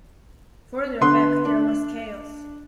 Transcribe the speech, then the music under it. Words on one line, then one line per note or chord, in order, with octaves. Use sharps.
Further back there was chaos.
D3 B3 B4 C6
D4